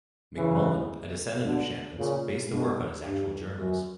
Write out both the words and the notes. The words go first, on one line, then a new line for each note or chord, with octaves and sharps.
McMullan, a descendant of Shannon's, based the work on his actual journals.
C#3 E3
B2 D3
A#2 C#3
G2 B2
G2
F#2